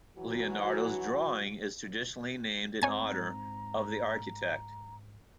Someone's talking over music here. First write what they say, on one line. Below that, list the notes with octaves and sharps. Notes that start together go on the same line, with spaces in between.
Leonardo's drawing is traditionally named in honor of the architect.
E3 F#3 F#4
G#2 C4 C#5 G#5 A#5 G#6